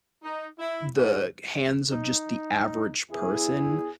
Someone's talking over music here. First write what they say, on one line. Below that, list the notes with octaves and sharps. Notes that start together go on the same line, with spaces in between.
the hands of just the average person
D#4
E4
G#2
D#4
E2 E4 G#4